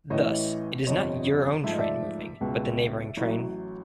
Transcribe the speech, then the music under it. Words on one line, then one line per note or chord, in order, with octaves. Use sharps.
Thus, it is not your own train moving, but the neighboring train.
A1 A2 E3 C#5 D#5
G1 F2 C3 C#5 D#5
G#2 F3 A3 E5
D#5
D5 E5
C#2 B2 G#3
A1 A2 F#3